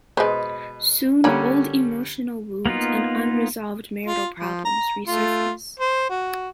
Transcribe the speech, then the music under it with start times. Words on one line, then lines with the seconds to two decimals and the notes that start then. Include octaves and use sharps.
Soon old emotional wounds and unresolved marital problems resurface.
0.17 B2 G#3 B4 C5
1.24 D3 G3 A#3 C#4 B5
2.66 A#3 B3 D#4 F4
4.06 F4
4.39 F3
4.65 A#5
5.08 A3 F4
5.80 C5
6.10 F#4